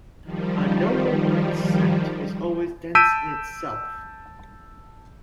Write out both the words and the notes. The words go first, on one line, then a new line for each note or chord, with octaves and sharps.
A nowhere dense set is always dense in itself.
D#3 F3 G3
A5 E6 G6 B6 D7 D#7